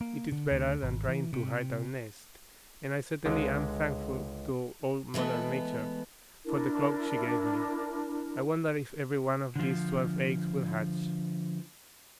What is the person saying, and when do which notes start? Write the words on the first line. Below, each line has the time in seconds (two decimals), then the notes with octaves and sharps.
It is better than trying to hide a nest, and I certainly am thankful to Old Mother Nature for the cloak she gave me. I wonder if every one of these twelve eggs will hatch.
0.01 A#3
0.32 D3
0.51 D2
0.83 G#1
1.08 E3
1.33 C3
3.26 C#2 D3 G#3
5.14 E3 G#3 A3 B3
6.44 D4 E4 A#4
9.56 D3 F3